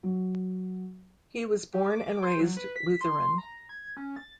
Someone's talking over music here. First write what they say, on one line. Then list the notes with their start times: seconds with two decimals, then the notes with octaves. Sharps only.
He was born and raised Lutheran.
0.03 F#3
1.74 G4
1.90 D6
2.23 C5
2.40 F#3
2.57 B4
2.76 B6
3.01 C6
3.38 A#5
3.69 G#6
3.97 C#4
4.16 A6